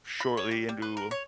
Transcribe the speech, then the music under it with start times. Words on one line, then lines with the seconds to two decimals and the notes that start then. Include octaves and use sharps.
shortly into
0.20 B5
0.37 C#5
0.51 G3
0.69 G3
0.82 B4
0.97 A#4
1.11 C#5